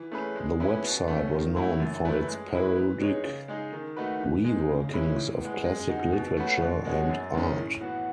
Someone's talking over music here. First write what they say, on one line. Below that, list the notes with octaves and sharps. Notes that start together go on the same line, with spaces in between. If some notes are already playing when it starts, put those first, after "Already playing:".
The website was known for its parodic reworkings of classic literature and art.
Already playing: E3
A3 C#4 G#4 B4
G#3
C#4 E4 B4
B2
A3 C#4
D#3
F#3 A3 E4
F#2
E3 A3 E4 B4
G#3
C#4 E4 B4
E3
G#3 D#4 G#4 C#5
C#3
G#3 D#4 G#4
D#3
A3 D#4 F#4 B4
E3
G#3 D#4
C#3
E3 G#3 C#4 E4
A2
G#3 B3
G#3
D#4 F#4
B2
A3 C#4 F#4 B4
B2
G#3 D#4 F#4 C#5
F#2
D#3 G#3 C#4
A2
E3 B3 F#4